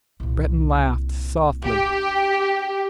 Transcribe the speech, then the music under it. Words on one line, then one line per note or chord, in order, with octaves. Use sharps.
Breton laughed softly.
C2 A#2
D4 G4